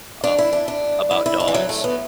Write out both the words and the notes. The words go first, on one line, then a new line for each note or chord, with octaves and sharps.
um, about dogs,
D4
E4
D4
D4
E4
E4
D4
E3
F#3
A3
B3